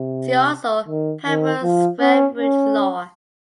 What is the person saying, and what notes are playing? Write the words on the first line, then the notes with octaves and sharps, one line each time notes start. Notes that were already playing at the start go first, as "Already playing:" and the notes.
See also Penrose square root law.
Already playing: C3
D#3
D#3
F3
C#4
C#4